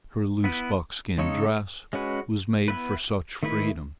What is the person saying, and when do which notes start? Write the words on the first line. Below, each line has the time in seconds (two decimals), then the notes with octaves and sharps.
Her loose buckskin dress was made for such freedom.
0.44 B3 E4 B4
1.18 C#3 G#3 D#4 A4 C#5
1.93 G#3 C#4 F#4 B4
2.68 B3 E4 B4
3.43 D#3 A3 E4 B4